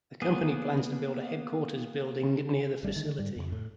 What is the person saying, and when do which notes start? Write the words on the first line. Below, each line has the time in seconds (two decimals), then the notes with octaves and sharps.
The company plans to build a headquarters building near the facility.
0.22 A#3 B3 G#4
2.83 G#1 G3 A3 D4
2.96 D3 D#3 A3
3.19 G#2 G3
3.36 F2 C#3
3.52 A2